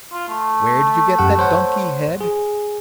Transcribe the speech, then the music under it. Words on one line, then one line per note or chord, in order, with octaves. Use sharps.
Where did you get that donkey head?
F4
A3
F#2 G4 F#5
C5 C#5 F#5
G#4